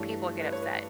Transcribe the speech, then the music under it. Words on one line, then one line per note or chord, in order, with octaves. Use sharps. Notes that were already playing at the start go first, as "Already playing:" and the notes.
people get upset.
Already playing: G2 E3 A3 C#5
B4
C#5
B4